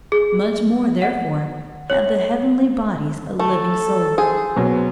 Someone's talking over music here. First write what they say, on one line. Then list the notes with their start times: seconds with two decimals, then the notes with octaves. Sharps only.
Much more, therefore, have the heavenly bodies a living soul.
0.12 G#4
1.02 F#5
1.90 C#5
3.39 A3 A4
4.18 G#4 C5
4.56 B2 F#3